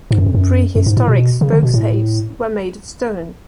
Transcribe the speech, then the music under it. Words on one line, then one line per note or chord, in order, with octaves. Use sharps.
Prehistoric spokeshaves were made of stone.
G#2
F#2
F2
F#2
F#2
G#2
A2
B2
C#3
D3
B2
A2